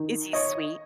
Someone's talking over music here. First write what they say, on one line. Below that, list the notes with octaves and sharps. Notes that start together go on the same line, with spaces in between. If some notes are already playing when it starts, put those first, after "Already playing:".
Is he sweet?
Already playing: D#3
C#5 D#5